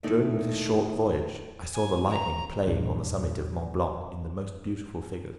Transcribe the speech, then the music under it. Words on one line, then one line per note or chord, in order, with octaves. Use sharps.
During this short voyage I saw the lightning playing on the summit of Mont Blanc in the most beautiful figures.
D#2 A2 A3 D#4 A4 D5
G#5
A#5
A#1 E2 G2 D4